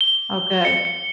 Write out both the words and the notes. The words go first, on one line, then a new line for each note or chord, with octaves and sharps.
Oh, good.
G7
C#7
C#7